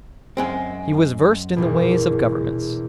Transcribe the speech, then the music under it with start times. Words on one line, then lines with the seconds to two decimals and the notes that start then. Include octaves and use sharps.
He was versed in the ways of Governments.
0.37 F#2 G#3 C4
1.56 A#1 E2 B2